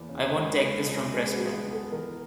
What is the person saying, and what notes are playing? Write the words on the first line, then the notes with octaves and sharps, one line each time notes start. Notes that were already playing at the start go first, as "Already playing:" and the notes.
I won't take this from Pressman.
Already playing: E2 A#3
C#3
C#2
C#2
C#2
G#3 A#4
F#4
B3
B3
A4
E3 A#4